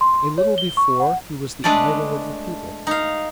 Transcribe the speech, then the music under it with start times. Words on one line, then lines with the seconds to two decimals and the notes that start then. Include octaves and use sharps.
A little before, he was the idol of the people.
0.01 C6
0.38 C#5
0.58 G7
0.77 C#6
1.00 F#5
1.64 G#3 A3 D4 B4 D5
2.87 D#4 F5